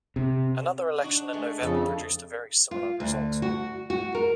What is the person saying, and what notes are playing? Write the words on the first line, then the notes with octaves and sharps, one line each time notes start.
Another election in November produced a very similar result.
C3
D4 D#4 F#4
G#3 A3
F2 C#3 A4
F4
D2
F#4
F#4
A#4